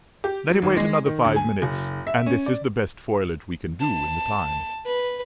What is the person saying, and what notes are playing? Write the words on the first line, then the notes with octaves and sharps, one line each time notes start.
"Let him wait another five minutes." And this is the best foliage we can do in the time.
G4
F#3
G#1
G#3
D#3
D2
G#5
F#1
E5
C#4
D5
A5
B4